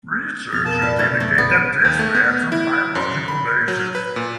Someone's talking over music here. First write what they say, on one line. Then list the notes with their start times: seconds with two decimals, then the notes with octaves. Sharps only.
Research indicates that this may have some biological basis.
0.53 F2 B2 F6
0.65 F4 A#4 A5
0.82 G3 F4 B4 D5
0.99 B2 E3 A3 D4 F6
1.20 F2 G#2 A3 D5
1.38 A#1 F#2 B2 B3
1.85 D#2
1.99 A3
2.15 B3
2.52 E4
2.95 F#2
3.28 B5
3.68 F#3
3.95 B4
4.16 A#2